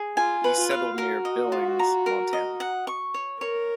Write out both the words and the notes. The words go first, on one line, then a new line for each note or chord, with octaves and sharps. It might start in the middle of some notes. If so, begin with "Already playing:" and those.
He settled near Billings, Montana.
Already playing: G#4
F4 G#5
B4
F4
F5
F#4 A#4
D#5
F4
A#5
A#4
D#5
F#5
C#6
C#5
A#4 C#5